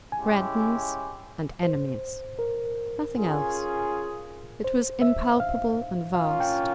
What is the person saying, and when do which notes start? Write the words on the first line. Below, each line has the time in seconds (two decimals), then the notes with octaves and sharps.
"Friends and enemies"--nothing else. It was impalpable and vast.
0.12 G#3 C#4 E4 G4 G#5
1.63 C5
2.39 A#4
3.14 C#4 F4 G#4
4.64 C5
5.02 E5
5.40 F5
6.14 A#3 C#4 F4 F5
6.40 G5